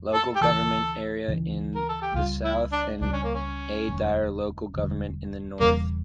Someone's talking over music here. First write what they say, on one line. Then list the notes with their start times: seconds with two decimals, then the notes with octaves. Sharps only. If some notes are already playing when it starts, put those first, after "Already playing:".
Local Government Area in the South and Ayedire Local Government in the North.
Already playing: F2
0.13 A4
0.36 G4
0.41 D2 C#3 E3 A4
1.28 D2 C#3 E3
1.75 A#4
1.89 A4
2.02 G4
2.14 C#2 C#3 G3 F4
2.44 E4
2.72 D4
3.01 C#2 C#3 G3 D4
3.12 C#4
3.24 A#3
3.35 C#4
3.89 E1 D2 D3 G3
4.74 E1 D2 D3 G3
5.60 E1 E2 C#3 G3 A#3